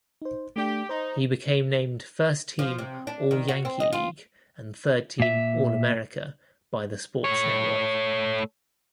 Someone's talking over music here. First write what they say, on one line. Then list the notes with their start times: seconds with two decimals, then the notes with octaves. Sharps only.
He became named first-team All-Yankee League and third-team All-America by The Sports Network.
0.22 D#4 C5
0.56 A3 D4 G4
0.89 D#4 C5
2.59 F3
2.79 C3
3.07 D4
3.31 D#3
3.48 F#4
3.65 C4
3.80 D#5
3.93 F4
5.20 A#2 E5
7.24 A3 C#5